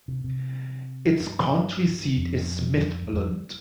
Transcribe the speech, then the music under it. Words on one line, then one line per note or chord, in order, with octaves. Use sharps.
Its county seat is Smithland.
C3
C3
G2
F2
G2
F2
G3